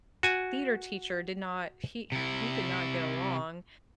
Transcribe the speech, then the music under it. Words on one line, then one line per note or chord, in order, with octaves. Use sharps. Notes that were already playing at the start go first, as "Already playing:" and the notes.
theater teacher did not, he we did not get along,
F#4 G#5
C3 E4